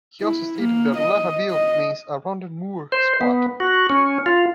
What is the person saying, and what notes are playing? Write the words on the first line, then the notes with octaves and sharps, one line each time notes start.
He also stated that "larrabil" means a "rounded moor, squat".
E4
A#3
D#5
D#5
C5
B3
F#4
C#4
F4